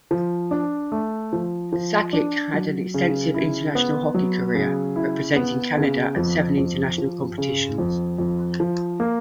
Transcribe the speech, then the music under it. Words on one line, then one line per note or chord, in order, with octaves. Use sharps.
Sakic had an extensive international hockey career, representing Canada at seven international competitions.
F3
D4
A3
F3
F3
D4
F#3
C#3
E4
B3
F#3
C#3
E4
B3
C#3
F2
F2
F3
C#3
F2
F2
F3
A#3